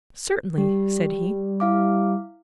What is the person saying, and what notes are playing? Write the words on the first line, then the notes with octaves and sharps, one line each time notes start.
"Certainly," said he.
G3 G4
E4 F5 D6